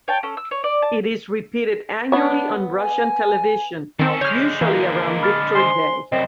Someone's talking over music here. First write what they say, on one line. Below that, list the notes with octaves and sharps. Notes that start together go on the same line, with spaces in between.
It is repeated annually on Russian television, usually around Victory Day.
C#5 G5 A5
C#4 A4
E6
C#5
D5
A5
B3 D4 C#5
G#5
D#3 C4 C#4 A4
D3 G#3 C#5 F6 G6
E3 A#3
B5 F6 A6
C5 G#5 C6
C2 F#2 C4 D#5